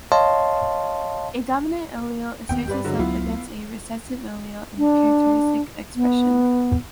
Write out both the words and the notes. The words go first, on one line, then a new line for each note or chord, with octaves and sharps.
A dominant allele asserts itself against a recessive allele in the characteristic expression.
C#5 D#5 F5 A5 C6
E1 D#2 B3 G5
G2 G4 B4 D5
D3 F#3 G#3
C#2 F#3 B3 E4 F4
D4
B3